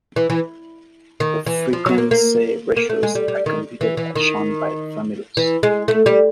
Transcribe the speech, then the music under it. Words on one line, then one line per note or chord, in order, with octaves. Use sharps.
The frequency ratios are computed as shown by the formulas.
E3
E3
D#3
E3
F3
F#3
A#3
A#3
A#3
A3
G#3
G3
G3
D#3
E3
E3
D#3
E3
G#3
A3
G3